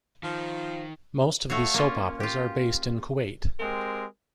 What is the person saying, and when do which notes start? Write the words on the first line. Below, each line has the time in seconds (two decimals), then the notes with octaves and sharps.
Most of these soap operas are based in Kuwait.
0.23 D#3 F3
1.50 A3 F#4 C#5 F5
1.74 A#3 C#4 F4
2.20 F4 G4
3.60 G#3 C4 G4 A#4